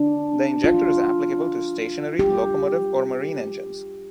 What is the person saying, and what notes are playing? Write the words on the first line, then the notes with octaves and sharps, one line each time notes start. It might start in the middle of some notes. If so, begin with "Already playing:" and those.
The injector is applicable to stationary, locomotive, or marine engines.
Already playing: D4
F4
G4